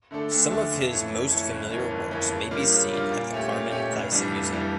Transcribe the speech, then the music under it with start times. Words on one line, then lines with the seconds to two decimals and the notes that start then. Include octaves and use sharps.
Some of his most familiar works may be seen at the Carmen Thyssen Museum.
0.11 D3 A3 D4 A4
0.31 D2
0.50 D3 A3 D4 A4
0.71 F2
0.90 E3 A3 C#4
1.11 F2
1.31 E3 A3 C#4
1.51 G1
1.71 F2 E3 A#3 C#4
1.91 G1
2.11 F2 E3 A#3 C#4
2.31 C#3
2.51 G3 A#3 D4 F4
2.71 C#3
2.91 G3 A#3 D4 F4
3.12 A#2
3.32 A3 C#4 G4
3.52 A#2
3.72 A3 C#4 G4
3.92 F1
4.11 F2 E3 G3 D4
4.32 F1
4.52 F2 E3 G3 D4